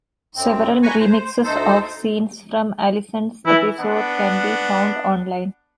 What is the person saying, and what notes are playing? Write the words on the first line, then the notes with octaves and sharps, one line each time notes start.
Several remixes of scenes from Allison's episode can be found online.
F#2 C4
B4 G#5 A#5 C#6
C5
D2 D#4 A4 C5
E3 E4
B3 D4 F#5